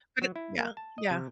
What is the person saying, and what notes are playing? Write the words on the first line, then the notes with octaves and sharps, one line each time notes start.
but it Yeah, yeah.
F#3
E4
A#3
A5
D#5
C3